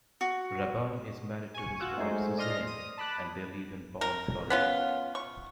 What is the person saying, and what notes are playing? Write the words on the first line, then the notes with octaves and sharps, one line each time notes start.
Raburn is married to his wife Suzanne and they live in Balm, Florida.
F#4
G#5 C#6
F4 F#4 F#5 E6
G#3 A3 D#4 G#4 C5
D5 D#5 C6 F6 A#6
D#6
A5 B5 D6 F#6
A#4
B3 C#4 F4
C#6